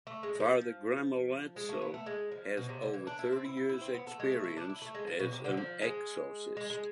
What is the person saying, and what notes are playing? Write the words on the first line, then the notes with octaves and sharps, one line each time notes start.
Father Gramolazzo has over thirty years experience as an exorcist.
A3
G#3
G#3
F3
G#3
A3
B3
A3
G#3
F3
B2
C3
D3
E3
D4
E4
C4
E4
E4
E4
C4
B3
A3
G#3
A3
E4
D4
E4
A3
G#3
F3
B2
C3
D3
F3
G#3
G#3
G#3